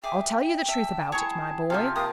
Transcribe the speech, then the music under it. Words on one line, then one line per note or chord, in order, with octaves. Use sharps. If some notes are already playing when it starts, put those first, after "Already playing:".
I'll tell you the truth about it, my boy.
G#4 E5 G5 D6
E5 A5
E4 G#4 C#5 A#5 C#6
C3 F3 F4 A4 E5 F6
A#3 F5 G5 A5 D#6